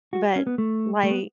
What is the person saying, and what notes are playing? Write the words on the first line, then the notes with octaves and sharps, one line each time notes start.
But, like,
F#4
C#4
B3
A3
A3
B3